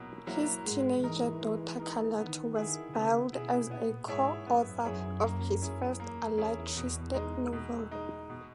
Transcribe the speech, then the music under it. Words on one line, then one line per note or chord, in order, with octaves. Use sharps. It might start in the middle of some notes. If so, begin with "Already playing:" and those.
His teenage daughter Carlota was billed as a co-author of his first Alatriste novel.
Already playing: B2 F#3 A#3 E4
F#3 A#3 E4
G#2 G#3
E3 D#4 A#4
G#3
D#4 A#4
D#3 B3
E4 G#4
C#3 B3
B2 E4 G#4
A#2 B3
G#2 E4 G#4 C#5 E5
F#2 B3
F#2 E4 G#4 C#5 E5
A#3
C#4 E4 G#4
E2 A#3
C#4 E4 G#4
B2
G#3 D#4
B2
G#3 D#4
B2